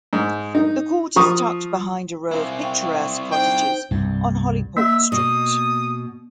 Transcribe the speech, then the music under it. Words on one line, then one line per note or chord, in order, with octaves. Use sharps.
The court is tucked behind a row of picturesque cottages on Holyport Street.
G#2
D#4
F3 C#6 D#6
C4 E4 F5 G#5
F5 G5 C#6
D#4 C5 G5
C2 G2
A#3 E5
B2 D#6